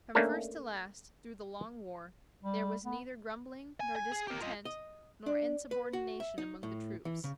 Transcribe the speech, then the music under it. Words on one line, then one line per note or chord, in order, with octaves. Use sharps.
From first to last, through the long war, there was neither grumbling, nor discontent, nor insubordination among the troops.
A3 A#3 C#4 D4 A4
G3
B3
G#5
G#5
G#4
G4 A#4
F4 D#5
D#5
D4
B4
F#4
E5
D#4
A2
E3
C#3